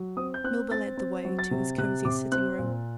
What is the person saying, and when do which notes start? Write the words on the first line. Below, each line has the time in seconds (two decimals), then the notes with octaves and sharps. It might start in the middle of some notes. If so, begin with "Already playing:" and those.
Milburgh led the way to his cosy sitting-room.
Already playing: F#3
0.17 C4 D#6
0.34 G6
0.44 C4 F#6
0.71 C4 A6
0.97 C4
1.25 F#3
1.39 A6
1.51 C3
1.78 C3 F#6
2.05 C3 D6
2.32 C4 F#6
2.59 A#2